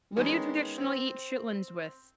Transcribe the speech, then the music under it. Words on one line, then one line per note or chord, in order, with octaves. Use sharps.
What do you traditionally eat chitlins with?
D#3 G#3 B3 C#4
C4